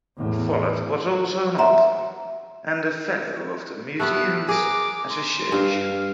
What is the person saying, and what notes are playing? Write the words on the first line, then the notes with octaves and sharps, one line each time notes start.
Follett was also an author and a Fellow of the Museums Association.
E2 A2
E5 F#5 A#5 C6
A3 B3 G4 F#6
G#4 A#4 D6
C6
G2 F5